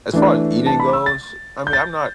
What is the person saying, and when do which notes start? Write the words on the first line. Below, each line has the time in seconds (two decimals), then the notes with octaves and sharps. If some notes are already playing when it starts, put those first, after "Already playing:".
As far as eating goes, I mean, I'm not
0.13 E3 A3 D4
0.66 A5
0.80 B5
0.93 E6
1.06 A6
1.67 G6
1.73 A6